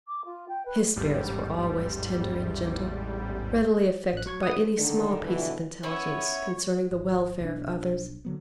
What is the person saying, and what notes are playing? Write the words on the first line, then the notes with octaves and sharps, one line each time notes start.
His spirits were always tender and gentle, readily affected by any small piece of intelligence concerning the welfare of others.
D6
F4
G5
B4
A1 E2 G#2 G3
A1 F#6
F#3 C#6 G#6
B4 D#5 F#5 D#6
D3 D#3 D4
D2 G2 B2 D3 E3
B3 C#4 E4 C#5
G#1
B1 D4
D3 F#3 B3